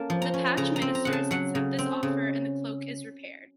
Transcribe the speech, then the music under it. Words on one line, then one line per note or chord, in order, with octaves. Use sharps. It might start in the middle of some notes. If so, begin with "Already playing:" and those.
The Patch ministers accept this offer and the cloak is repaired.
Already playing: A#3 C#4 A5
F3
A#5
C#4
C#3 A#5
A#5
C4
A#5
C#3 F#5
A5
F#3 F#5
C#3
C4
C#3